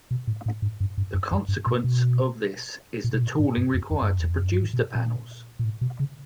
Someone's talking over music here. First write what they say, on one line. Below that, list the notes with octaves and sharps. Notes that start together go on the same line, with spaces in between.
The consequence of this is the tooling required to produce the panels.
B2
A2
A2
G#2
G2
G2
F#2
F#2
G2
A#2
B2
A#2
B2
A#2
G#2
G2
F2
F2
G2
F#2
E2
F2
F#2
G2
G#2
B2
A#2
A#2
A#2
A2
B2
C#3